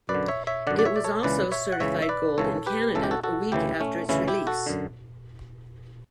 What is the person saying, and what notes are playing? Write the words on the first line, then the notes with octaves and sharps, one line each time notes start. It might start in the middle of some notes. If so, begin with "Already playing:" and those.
It was also certified gold in Canada a week after its release.
F#2 B4 D5
D3
C#5 E5
C#5 E5
F#2 D3 D5 F#5
D5
C#5 E5
D5
A4 C#5
C#2 C#3 E3 B4 D5
C#5 E5
F#5
C#2 C#3 E3 C#5 E5
E5
B4 D5
C#2 C#3 E3 A4 C#5
G4 B4
C#2 C#3 E3 A4
G4
F#4 A4
F#4 A4
D2 C#3 E3 E4 G4
A3 C#4
D2 C#3 E3 C#4 E4
E4 G4
F#4 A4
F#2 D3